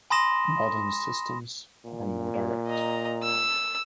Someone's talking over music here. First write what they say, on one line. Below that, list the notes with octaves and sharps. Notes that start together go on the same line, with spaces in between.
Modern systems are more direct.
G#5 B5 C6 D#6 A#6 E7
A#2
D#5 A#5
E6